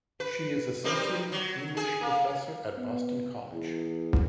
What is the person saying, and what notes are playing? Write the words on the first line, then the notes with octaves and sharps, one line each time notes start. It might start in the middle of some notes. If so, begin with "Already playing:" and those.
She is associate English professor at Boston College.
B4
G3 C4 D#4
F#3
G#4
A#3
B3
E2